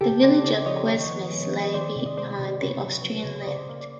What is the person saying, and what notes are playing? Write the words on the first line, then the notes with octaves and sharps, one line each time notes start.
The village of Cuesmes lay behind the Austrian left.
C#3 G4 A4
C#3 C5 D5
C#3 C5 D5
F3 C#5 D#5
D#3 C#5 D#5
B3
G#3
B3
D#5
D#3 C5 D5
C3
D#5
G#3 C5 D5
C3
C#3 B4 C#5
F#3
F#3
C#3
D#5
C#3 C5 D5
A#3
D5